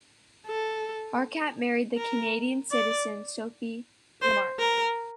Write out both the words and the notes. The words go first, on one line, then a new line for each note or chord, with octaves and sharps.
Harkat married the Canadian citizen Sophie Lamarche.
A4
A#4
D5
C5
A#4